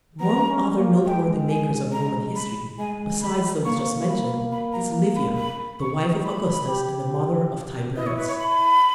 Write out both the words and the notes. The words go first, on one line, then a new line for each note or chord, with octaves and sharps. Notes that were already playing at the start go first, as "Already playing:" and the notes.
Among other noteworthy makers of Roman history, besides those just mentioned, is Livia, the wife of Augustus and the mother of Tiberius.
B3 A#5
C#4
A#3
G#3 G5
G#5
A#5
B5
G#3 G#5
B5
A#3 C#6
B5
B5
A#5
B5
B5
C#6
B5
G4
E4 D#5
C#5
B4
C#5
B5